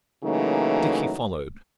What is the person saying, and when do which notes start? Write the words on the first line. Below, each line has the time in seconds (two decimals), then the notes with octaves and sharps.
Dickie followed.
0.23 C#3 E3 F#3 A3 A#3 D#4